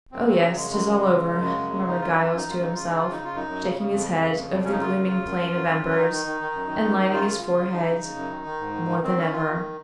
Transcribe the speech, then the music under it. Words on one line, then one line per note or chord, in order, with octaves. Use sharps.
"Oh yes--'tis all over!" murmured Giles to himself, shaking his head over the glooming plain of embers, and lining his forehead more than ever.
F#2 C4
C#3 C4
C#3 F3
F#3
F#2 G#3
F#2 G#3
C#3
C#3
C#3
F#2
C#3
F#2
C#3
F#2 D#4
F#2 F4
F#2 D#4
F4
F#2
D#4
F#2 F4
C#3 D#4
C#3 F4
C#3 D#4
C#3 F4
D#4
C#3
F4
F#2 D#4
F#2
C#3
C#3
F2
C#3
C#3
F2
F2
C#3 C#4
D#4
F#2 F4
F#2
C#3
F#2
F#2
F#2
F#2
F#2
C#4
D#3 D#4
D#3
D#3
D#3
F#2
D#3
F#2
D#3
F#2 F4
C#3
C#3 F4
C#3
C#3 D#4
C#3
C#3
F#2
D#3
D#3
G#2
D#3
D#3
D#3 C4
D#3 C#4
D#3 F4
D#3